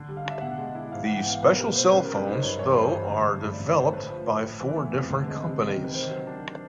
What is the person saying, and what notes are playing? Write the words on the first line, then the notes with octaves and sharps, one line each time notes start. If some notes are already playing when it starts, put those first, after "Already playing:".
These special cellphones, though, are developed by four different companies.
Already playing: D3
G3
F5
D4 E5
B2 F#5
G#3
E4
G#2 F5
F#5
E3
G5
B3 F5
B2 B4
A#4
G3 B4
B2 C5
C#3 B4
A#4
F#3
B4
D#4 C5
G2 C#5
E3 C#5
G2 C5
G2
D3
A3
G2
D5
D3
C#5
A3 C5
A2 B4
F3
A2
A2
E3
B3
F2 B4
D3
G#3
C3
D#3
C3
B4
D#3 C5
F#3
D4